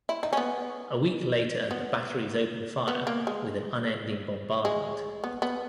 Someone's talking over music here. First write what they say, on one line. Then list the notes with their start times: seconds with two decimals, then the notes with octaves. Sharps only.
A week later the batteries opened fire with an unending bombardment.
0.09 E4
0.23 D#4
0.33 C#4
0.37 B3
1.71 B3
2.88 B3
3.07 A#3
3.27 G#3
4.65 G#3
5.24 B3
5.42 B3